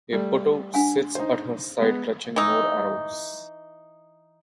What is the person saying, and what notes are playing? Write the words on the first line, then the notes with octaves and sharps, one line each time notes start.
A putto sits at her side clutching more arrows.
G3 A3
D4 F#5 G#5
D#4 C5
G#3 B3
E3 D#4